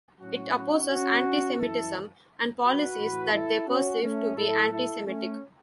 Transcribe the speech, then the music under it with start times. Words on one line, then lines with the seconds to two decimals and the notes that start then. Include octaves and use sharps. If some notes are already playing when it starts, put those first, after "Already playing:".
It opposes antisemitism and policies that they perceive to be antisemitic.
0.20 A2 F#3 C#4 F#4
0.55 C#4 F#4
0.89 C#4 F#4
1.58 F#2 E3 E4 A4
2.63 F#4 B4
2.98 A2 E3
3.32 E4 A4
3.67 C#4 F#4
4.02 A3 C#4
4.36 A2 F#3 E4 A4
4.71 E4 A4
5.05 A3 C#4